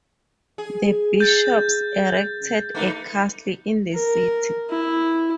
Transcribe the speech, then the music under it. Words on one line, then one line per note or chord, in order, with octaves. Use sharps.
The bishops erected a castle in the city.
G#4
G6 A6
A3 B3 D#4
A#4
E4